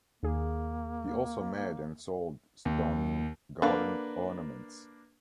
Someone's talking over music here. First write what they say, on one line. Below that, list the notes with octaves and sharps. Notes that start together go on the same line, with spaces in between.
He also made and sold stone garden ornaments.
D#2 A#3 G#4
D#2
D3 A#3 D4 B4 F5